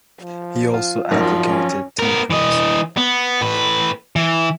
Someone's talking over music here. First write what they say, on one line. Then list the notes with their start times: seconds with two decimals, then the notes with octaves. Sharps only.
He also advocated temperance.
0.21 F3
0.74 F4
1.11 G#1 F#2 D#3 F3
1.49 C#4
1.99 B3 A#4
2.30 E3 D#5
2.97 B3
3.41 A2 B4
4.16 E3